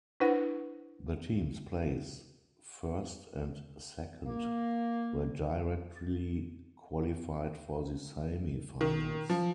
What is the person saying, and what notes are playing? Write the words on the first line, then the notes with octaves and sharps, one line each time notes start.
The teams place first and second were directly qualified for the semi finals.
D4 E4 B4 C5 F#5
A#3
D#3
F3